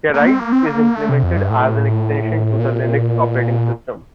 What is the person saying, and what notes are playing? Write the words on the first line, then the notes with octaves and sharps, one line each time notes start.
Kerrighed is implemented as an extension to the Linux operating system.
A#3
C4
A#3
C4
A#3
A3
C3
F2
G2
A2
A#2